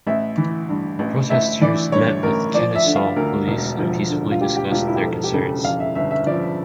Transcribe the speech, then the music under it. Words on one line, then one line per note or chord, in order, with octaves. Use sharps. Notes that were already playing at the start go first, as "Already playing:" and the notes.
Protesters met with Kennesaw Police and peacefully discussed their concerns.
A1 E5
E3
G2
A1
A1 E5
E3 D5
G2 C#5
A1 A#4
F3 D5
E5
D3
F5
D2 A#4
E1
F3
D3
F4
D2 G4
G4
E1 F4
E4
G4
F3 A4
G4
C#3 A4
F2 F5
E5
G1 E5
E5
F3 D5